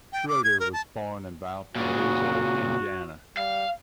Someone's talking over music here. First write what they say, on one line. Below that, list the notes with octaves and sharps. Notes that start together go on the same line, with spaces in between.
Schroeder was born in Valparaiso, Indiana.
G5
D6
G#6
A#4
A5
A#2 C#3 F#4
G3 F5